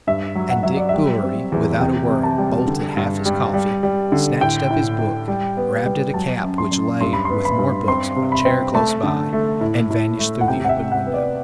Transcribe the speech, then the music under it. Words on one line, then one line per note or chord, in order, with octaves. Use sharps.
And Dick Bewery, without a word, bolted half his coffee, snatched up his book, grabbed at a cap which lay with more books on a chair close by, and vanished through the open window.
G2 E5
F#3
F#5
F#3 E5
D5
G3 E5
C4
E2
C3 G5
C3
A5
G3
D3
G2
G3
G3
G3
D3
A2 G5
A2
A2
G3
B3
G3
F#3 A5
F#2
C6
F#2
G2 C6
B5
B3 C6
B5
G2
C4 C6
C3
B5
C4
A3 A5
D3
A3
A2
A2
A3
F#5
C3 G5
F#5
E5
C3
F#5
B3
D5